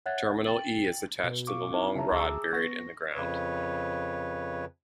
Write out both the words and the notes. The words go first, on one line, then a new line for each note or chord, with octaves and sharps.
Terminal E is attached to a long rod buried in the ground.
C#5 E5 F#5 F#6 G#6 A6
G5 A6 F#7
B2
F5 C#6 D6
C4 D#4 E4
C#3 E5 A5 A#5
D2 G#4 D6 E6
B3 C#6 A#6
F2 C#3 B4 C#5